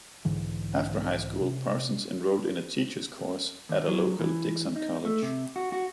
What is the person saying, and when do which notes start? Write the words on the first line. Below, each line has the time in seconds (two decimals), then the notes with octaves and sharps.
After high school, Parsons enrolled in a teacher's course at a local Dixon college.
0.25 B1 G#2 D3 E3
1.40 C3
3.69 D#2
3.87 F#3
4.19 E3
4.76 D#4
5.05 A3
5.22 C3
5.56 F#4
5.72 F#4